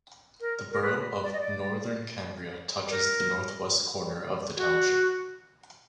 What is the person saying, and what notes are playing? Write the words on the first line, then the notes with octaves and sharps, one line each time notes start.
The borough of Northern Cambria touches the northwest corner of the township.
A#4
A#4
B4
D5
D#5
D5
A#4
F#4